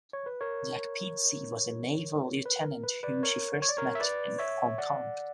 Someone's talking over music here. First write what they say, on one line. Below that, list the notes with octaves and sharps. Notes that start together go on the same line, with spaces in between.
Jack Pizzey was a naval lieutenant whom she first met in Hong Kong.
C#5
B4
A#4 C#5
B4
A#4
B4
B4 D5
A#4 C#5
C#5
D5
A#4 C#5
E5
B4 D5
C#5 E5
D5 F#5